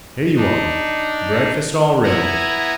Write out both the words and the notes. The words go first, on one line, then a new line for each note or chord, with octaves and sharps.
Here you are, breakfast all ready!
D4 D#4
B3 E4 F#5 G#5 A#5